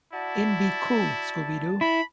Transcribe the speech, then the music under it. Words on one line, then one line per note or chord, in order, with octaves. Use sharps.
In Be Cool, Scooby-Doo!
E4 F#4 D5 A5
E4 B5